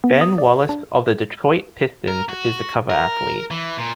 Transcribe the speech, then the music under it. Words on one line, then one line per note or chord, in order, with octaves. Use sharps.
Ben Wallace of the Detroit Pistons is the cover athlete.
B3
D#6
D5
D4
A#4
F#4
A#4
E3
A#2